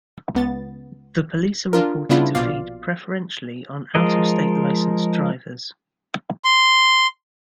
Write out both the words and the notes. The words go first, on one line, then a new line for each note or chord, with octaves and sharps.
The police are reported to feed preferentially on out-of-state licensed drivers.
C#2 B3 A6
D4 F4 A#4
C#3 G3 B3 D4 E4 F4
A#1 B2 F4 D5 F5
F3 G#3 A#4 D#5
C6